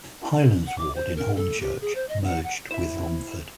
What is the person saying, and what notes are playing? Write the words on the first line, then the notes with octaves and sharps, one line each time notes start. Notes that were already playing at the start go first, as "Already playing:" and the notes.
Hylands ward in Hornchurch merged with Romford.
F#5
D6
C5
A#4
A4
G4
G#4
C5
D#5
F#5
F#5
E4 C5 E5